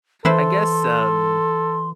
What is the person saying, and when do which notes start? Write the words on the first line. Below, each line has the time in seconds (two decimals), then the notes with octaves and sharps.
I guess, um
0.25 E3 E4 A4 B4 C5 C6